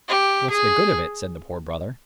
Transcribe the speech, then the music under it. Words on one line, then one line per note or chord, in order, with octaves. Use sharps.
"What's the good of it?" said the Poor Brother.
G4
G#4